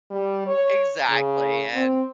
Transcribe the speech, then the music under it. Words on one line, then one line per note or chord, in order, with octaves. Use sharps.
Exactly, and
G3
C#5
C#3
C4